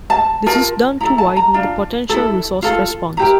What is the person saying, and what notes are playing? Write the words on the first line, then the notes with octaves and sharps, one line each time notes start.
This is done to widen the potential resource response.
A5
F4 A#4 A5
E4 A4 A#5
A5
A#5
D4 F4
E4 A4
F4 A4
E4 G4 A#4 A#5